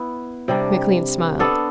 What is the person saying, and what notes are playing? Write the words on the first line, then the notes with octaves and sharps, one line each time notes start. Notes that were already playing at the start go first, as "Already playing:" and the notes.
McLean smiled.
Already playing: B3 E4 B4
C3 G3 D4
B3 D4 A4